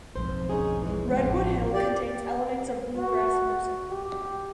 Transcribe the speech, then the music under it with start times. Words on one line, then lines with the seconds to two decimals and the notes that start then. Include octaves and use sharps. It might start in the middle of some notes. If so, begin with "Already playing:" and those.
"Redwood Hill" contains elements of bluegrass music.
0.16 B1 F2 G#2 C5
0.49 C#4 D#4 G#4
0.82 E3 G#3
1.17 A1 F2 D4 F4
1.74 G4 D5
2.97 F#4
3.90 G4